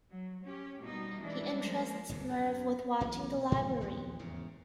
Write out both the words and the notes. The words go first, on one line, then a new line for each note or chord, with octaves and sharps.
He entrusts Merv with watching the library.
F#3
C#4 G4
B2 G3 A#3 D#4
E3 G3 G#3 D4
F3 G#3 A#3 A#4
G1 D#2 G#2 C3
F#2
B1 B2 E3 A3
G#2 C3 F3 A3
A#1 D#2 F3 B3
E2 G#2 C#3